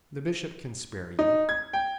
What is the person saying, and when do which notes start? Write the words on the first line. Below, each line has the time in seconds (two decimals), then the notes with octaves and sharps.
The bishop can spare you.
1.19 D#4
1.49 G#6
1.73 G5